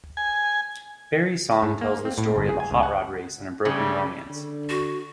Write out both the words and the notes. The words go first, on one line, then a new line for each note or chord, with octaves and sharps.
Berry's song tells the story of a hot rod race and a broken romance.
G#5
G#2
A#3
C4
A2
G1
G#4
G#5
C#2
F#5
C#3 G3 A3
D3
F#4